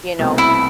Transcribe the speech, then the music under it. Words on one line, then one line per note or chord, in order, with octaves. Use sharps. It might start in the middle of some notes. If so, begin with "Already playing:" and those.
You know?
C2 B2 A3 C4
E4